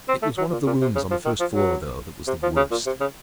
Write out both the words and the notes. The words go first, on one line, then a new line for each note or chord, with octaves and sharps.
It was one of the rooms on the first floor, though, that was the worst.
C4
A3
F#3
A#2
A#2
C3
C#3
F3
D#3
F3
F#3
C3
F3
C#3
A#2
C3
C#3